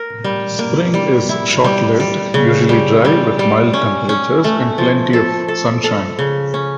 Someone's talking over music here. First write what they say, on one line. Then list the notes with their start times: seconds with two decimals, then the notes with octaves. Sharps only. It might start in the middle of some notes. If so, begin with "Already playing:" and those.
Spring is short lived, usually dry with mild temperatures and plenty of sunshine.
Already playing: A#4
0.24 G3
0.59 A#3
0.94 G3
1.29 E4
1.64 G3
2.00 G3
2.34 C#3
2.69 G3
3.05 G3
3.39 G3
3.73 C#4
4.09 C#4
4.44 A3
4.78 F3
5.13 A4
5.48 A4
5.84 A4
6.19 C#3
6.54 C#4